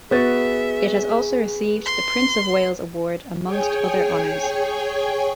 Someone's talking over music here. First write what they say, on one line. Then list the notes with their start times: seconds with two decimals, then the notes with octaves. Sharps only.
It has also received the Prince of Wales Award, amongst other honours.
0.11 B3 F#4 G#4 E5 A6
1.86 C6
3.43 G#4 C#5 G5 G#5